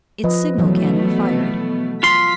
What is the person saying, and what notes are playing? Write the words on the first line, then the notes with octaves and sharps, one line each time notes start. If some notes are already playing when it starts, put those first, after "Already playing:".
Its signal cannon fired.
F3 B4 D#5
B2 E3 F#3 A3 B3
F4 C6 B6